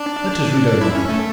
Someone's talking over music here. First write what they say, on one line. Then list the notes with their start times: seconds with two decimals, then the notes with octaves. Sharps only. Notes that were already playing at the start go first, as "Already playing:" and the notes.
"Let us read our novel."
Already playing: D4
0.81 E4
0.95 C#4
1.09 A3